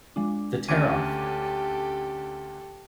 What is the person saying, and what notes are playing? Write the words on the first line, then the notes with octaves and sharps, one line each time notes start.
The Tear Off!
F3 G#3 D4
D2 D3 C#4 G4 A4 D6 G#6 D#7